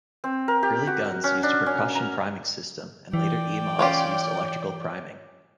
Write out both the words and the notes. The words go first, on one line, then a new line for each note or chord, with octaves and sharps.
Early guns used a percussion priming system, and later E-models used electrical priming.
C4
A#4
G4
F#4
C#4
D4
C#4
A#5
E3 D5 G5
C#4 F4 G4